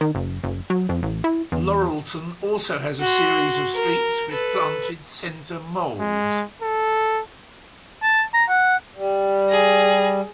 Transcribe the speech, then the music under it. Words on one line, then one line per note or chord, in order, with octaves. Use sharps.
Laurelton also has a series of streets with planted center malls.
D#3
F#1
F#1
F#3
F2
A1
E4
E2
F#4 C6
A#4
A4 B4
G#3
A4
A5
A#5
F#5
G3
G#4 A#6